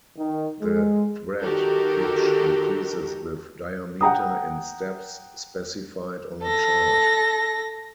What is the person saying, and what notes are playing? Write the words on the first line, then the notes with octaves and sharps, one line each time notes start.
The thread pitch increases with diameter in steps specified on a chart.
D#3
G#3
D#3 F#4 G4 A4 A#4
F#5 G5 A#5 D#6
A4 A#6